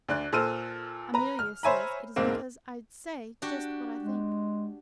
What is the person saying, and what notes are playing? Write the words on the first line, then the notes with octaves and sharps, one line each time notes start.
Amelia says it is because I say just what I think.
D2 D4 F#6
A#2 A4 C5 E6 F6 D#7
B4 A#5
F6
C5 C#5 E5 G#5 A#5 B5
E1 G#2 A#3 C4
D4 F#4 G4
G#3